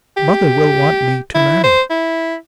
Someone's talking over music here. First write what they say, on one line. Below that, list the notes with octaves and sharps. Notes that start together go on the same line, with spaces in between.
'Mother will want me to marry.'
G4
E4
C5
E4